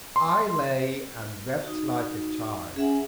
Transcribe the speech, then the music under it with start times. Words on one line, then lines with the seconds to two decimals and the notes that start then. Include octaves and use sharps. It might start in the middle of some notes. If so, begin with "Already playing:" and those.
I lay and wept like a child.
0.16 C6
1.63 D#4 F#4
2.76 C#4 G#4 E5 F#5